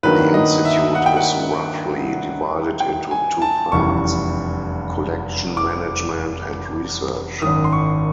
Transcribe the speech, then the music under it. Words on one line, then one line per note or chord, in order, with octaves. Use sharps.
The institute is roughly divided into two parts: Collection Management and Research.
G2 D#3 F#3 A#3 B4
D#5
E5
F#5
G5
F#5
G5
G#5
A5
F1 E2 C#3 E3 G3 C#6
D6
G#1 F#2 D#3 D#6
C6
C#6